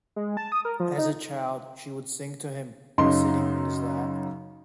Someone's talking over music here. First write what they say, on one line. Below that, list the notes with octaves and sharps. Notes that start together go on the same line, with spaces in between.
As a child, she would sing to him while sitting in his lap.
G#3
A5
D#6
A#4
F3
D#4
F#2 C#3 D#4 C6